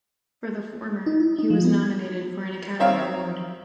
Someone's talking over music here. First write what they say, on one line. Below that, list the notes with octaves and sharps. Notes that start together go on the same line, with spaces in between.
For the former, he was nominated for an Academy Award.
D#4
E4
D#4
F3
B3
G#6
D#3 C4 C#5 E5 F5